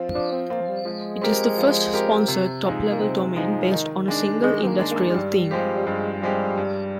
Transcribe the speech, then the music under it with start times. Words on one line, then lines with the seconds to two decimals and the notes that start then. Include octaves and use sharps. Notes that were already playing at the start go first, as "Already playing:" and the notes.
It is the first sponsored top-level domain based on a single industrial theme.
Already playing: F3 C4 F4
0.15 F3 D4
0.32 C4
0.50 A#3 C4 F4
0.61 F3
0.68 G3
0.85 F3 G#3
1.22 C4 G4 A#4
1.57 F3
1.94 C4 G4 A#4
2.28 C3
2.64 F3 G#3 D#4
2.92 A#3
3.00 C3 C4
3.36 F3 G#3 D#4
3.62 F4
3.72 D#3 D#4
4.08 G#3 D4
4.43 D#3 G#3
4.63 C4
4.67 A#3
4.78 G#3 D4
4.91 A#3
5.10 G#3
5.14 G2 G3
5.51 F3 G#3 C4 G4
5.76 G3
5.86 G2 G#3
6.22 F3 G3 G#3 C4 G4
6.57 G2